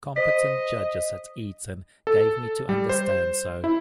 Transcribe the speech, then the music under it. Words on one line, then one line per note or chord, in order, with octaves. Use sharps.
Competent judges at Eton gave me to understand so.
C5 D#5 B6
A4
G3
C5
E4